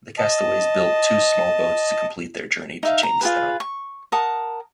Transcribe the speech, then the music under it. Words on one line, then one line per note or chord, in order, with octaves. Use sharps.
The castaways built two small boats to complete their journey to Jamestown.
D#5 A5
D#4 E5 F5
A#5
F4 G#4 B4
C#6
A#4 F#5 A5 D#6